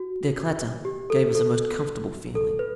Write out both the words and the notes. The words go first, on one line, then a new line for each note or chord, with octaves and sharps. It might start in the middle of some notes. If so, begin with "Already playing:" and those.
Their clatter gave us a most comfortable feeling.
Already playing: F#4
G4
A4
A4
A4
B4